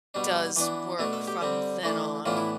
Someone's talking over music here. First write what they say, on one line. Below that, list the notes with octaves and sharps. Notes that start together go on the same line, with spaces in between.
does work from then on
B2 G3 D4
E3 B3 D4
B2 A3 D4
A4
G4
D3 G3 C4
E3 A3 D4
A2 E3 B3 D4 F4
E4